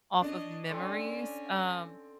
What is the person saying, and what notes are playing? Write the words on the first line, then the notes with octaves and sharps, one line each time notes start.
off of memories, um,
D4 C#5 D#5
D3 C4 C#4